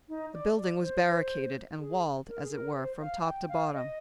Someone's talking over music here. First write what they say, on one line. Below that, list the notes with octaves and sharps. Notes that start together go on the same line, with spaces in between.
The building was barricaded, and walled, as it were, from top to bottom.
D#4
D5
D5
C5
G#4
A#4
G#4
A#4
C5
F5
G5
F5
D#5